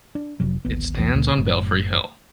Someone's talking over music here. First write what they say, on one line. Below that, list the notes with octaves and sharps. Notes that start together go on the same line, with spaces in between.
It stands on Belfry Hill.
D4
F1 C3 F#3
D1 G#1 B3
B1 E2 E3
C#2 A#2 A#3
F#1 F#2 A2